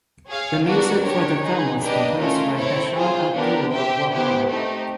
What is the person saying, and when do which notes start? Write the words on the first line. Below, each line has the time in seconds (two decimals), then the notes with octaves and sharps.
The music for the film was composed by Hesham Abdul Wahab.
0.27 G#4 C#5 F5
0.65 B3 D4 F#4 A#4
1.03 D4 G4 A#4 C#5
1.42 D#4 G#4 B4
1.80 A#3 D4 G4 B4 D#5
2.18 A3 C#4 F4 A#4
2.57 C4 E4 A4 C#5
2.95 F4 G#4 C5
3.33 B3 D4 G4 A#4
3.72 G4 C5 E5 G5
4.10 B3 E4 G4 C5
4.48 A3 C4 D#4 G4